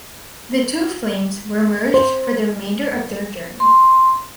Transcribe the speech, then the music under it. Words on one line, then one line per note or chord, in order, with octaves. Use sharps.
The two flames were merged for the remainder of their journey.
C5
C6